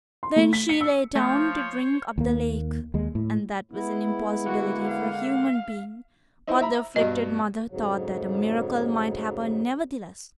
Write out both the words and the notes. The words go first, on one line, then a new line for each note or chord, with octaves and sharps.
Then she lay down to drink up the lake, and that was an impossibility for a human being, but the afflicted mother thought that a miracle might happen nevertheless.
C6
A3
B6
C#7
E6
F3 A3 C5 C#5
D#2 A#3
D#2 G#3
A2
G#3 B3 E4
D3 A#3 F#4 F#5
F5
D#4 E4 C5
E5 A#5 B5
G2 B2 D#5
F2 G#2 C#3 F#3